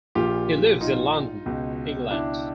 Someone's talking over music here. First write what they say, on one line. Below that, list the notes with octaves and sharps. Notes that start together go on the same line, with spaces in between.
He lives in London, England.
A#1 A#2 F4 G4
D#4 F4
C#2 B2
D4 E4